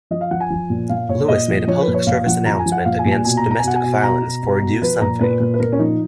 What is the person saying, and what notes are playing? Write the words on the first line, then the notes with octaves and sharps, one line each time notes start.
Lewis made a public service announcement against domestic violence for Do Something.
F3 D#5
F5
F3 F#5
G#5
F3
A#2
A#2 F5
A#2 C#5
A#2 D#5
F3
F3 C#5
B4
A#2
C#5
A#2 F5
F3 F#5
F3 A#5
G#5
F3
F#5
A#2 F5
G#5
A#2
G#5
B2 G#5
A#5
B2
A#5
G#5
B2 F#5
G#5
B2
B2 A#5
B2
B2
B2
F3 B4
A#2 A#5
A#2 B4
A#2
B4
A#2 A#4
C#4
F3 D#4